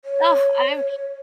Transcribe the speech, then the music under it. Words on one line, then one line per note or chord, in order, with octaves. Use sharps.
Ugh, I'm
C#5